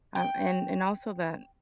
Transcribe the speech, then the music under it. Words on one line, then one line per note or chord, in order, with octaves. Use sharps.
Um, and and also, that
G5